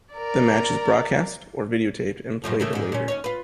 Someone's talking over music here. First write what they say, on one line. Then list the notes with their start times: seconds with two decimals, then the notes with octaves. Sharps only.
The match is broadcast, or videotaped and played later.
0.15 A#4 D5
2.44 F#2 A2 F3
2.60 C#3 A3 A#3
2.73 G#2 D3
2.92 A#2 C#4
3.08 D#2 C#4 C#5
3.24 F4 B4